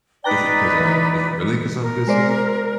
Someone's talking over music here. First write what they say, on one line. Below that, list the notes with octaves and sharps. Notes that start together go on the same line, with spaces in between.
is it 'cause I'm is it really 'cause I'm busy,
D#4 B4 D5 G5 A#5 F#6
E3
A#4
G#3 C5 D5